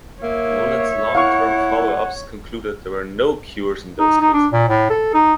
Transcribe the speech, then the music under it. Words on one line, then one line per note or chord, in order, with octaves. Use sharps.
Nolen's long term follow-ups concluded there were no cures in those cases.
A#3 C#5 E5
E4 F5 F#5 C#6
D#4
D#4
D4
A#2
A2
A4
D#4